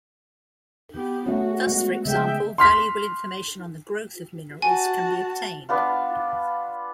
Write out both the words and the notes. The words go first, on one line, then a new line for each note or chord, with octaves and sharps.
Thus, for example, valuable information on the growth of minerals can be obtained.
B3 G4
A3 C#4 F#4
G#3 B3
C#3 G#3 G#4 E5 G5
C6 F6 B6
F#4 G#5 A5
B3 D4 F4